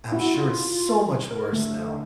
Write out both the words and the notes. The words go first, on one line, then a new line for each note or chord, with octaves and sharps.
I'm sure it's so much worse now.
E4 F#4
F4
A#4
D3 A3